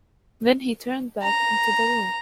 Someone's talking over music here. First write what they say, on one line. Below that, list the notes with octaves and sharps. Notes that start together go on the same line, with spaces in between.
Then he turned back into the room.
A#5